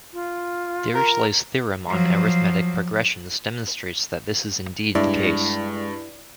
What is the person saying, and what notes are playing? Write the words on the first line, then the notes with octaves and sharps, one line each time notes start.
Dirichlet's theorem on arithmetic progressions demonstrates that this is indeed the case.
F4
A#4
F3 F#3
G2 G#3 E4 D5